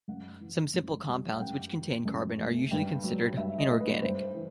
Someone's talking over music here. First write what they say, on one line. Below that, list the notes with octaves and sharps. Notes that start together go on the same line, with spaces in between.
Some simple compounds which contain carbon are usually considered inorganic.
F#2 F#5
E3
F#2
G3
F#5
F#2 G5
E3
F#2
A3
G2 G5
F#3
G2 E5
D#5
A3
B4
G2 C5
E3